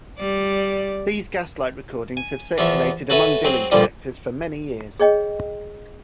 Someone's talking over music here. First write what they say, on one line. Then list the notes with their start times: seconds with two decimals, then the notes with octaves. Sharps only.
These Gaslight recordings have circulated among Dylan collectors for many years.
0.19 G3 D5
2.17 G#5
2.58 E2 F3 E5 C#6
3.10 F#4 A4 B4 C#5 E5 G#5
3.44 F#3 C4 G#4
3.72 G2 A#2 D3 F3 G3
4.99 G#4 C#5 D#5 G5